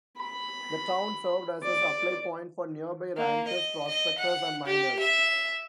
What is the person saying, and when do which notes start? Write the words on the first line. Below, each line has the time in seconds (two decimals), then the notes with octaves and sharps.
The town served as a supply point for nearby ranchers, prospectors, and miners.
0.17 B5
1.63 D5
3.17 A#3
3.48 D#5
3.87 D#5
4.18 F#5
4.66 G4
4.99 E5